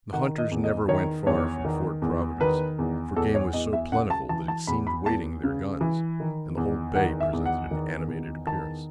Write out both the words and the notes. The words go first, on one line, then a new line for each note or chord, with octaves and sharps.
The hunters never went far from Fort Providence, for game was so plentiful that it seemed waiting their guns, and the whole bay presented an animated appearance.
D#3 F#5
D#5
E2
D#5
D#3 C#5
E2 C#5
D#3
E2
D#3 B4
E2
E2 A4
C#5
E2 D#5
E5
C#3 F#5
A5
E3 A5
A5
E2 B5
B5
E2 A5
C#3
E3
D#3
E2
D#3 F#5
E5
E2
F#5
D#3
E2
D#3 A5